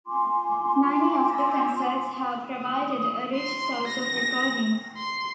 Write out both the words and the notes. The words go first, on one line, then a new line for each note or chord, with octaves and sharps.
Many of the concerts have provided a rich source of recordings.
F4 G#5 C6 D6
C6
A#6
C6